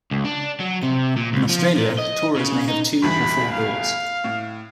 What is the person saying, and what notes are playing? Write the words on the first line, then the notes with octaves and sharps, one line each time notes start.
In Australia tourers may have two or four doors.
C#2
D4
F#3
C3
A#2
C#2
F3
A#2
D#5
C#3
D#4
G1 E2 G2 B5
F5
A2